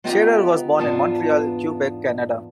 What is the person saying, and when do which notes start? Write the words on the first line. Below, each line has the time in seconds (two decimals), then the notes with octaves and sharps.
Shearer was born in Montreal, Quebec, Canada.
0.04 G#3 B3 C4 D#4 F4 G4
0.79 E2 G#2 B3 D4 F4 A5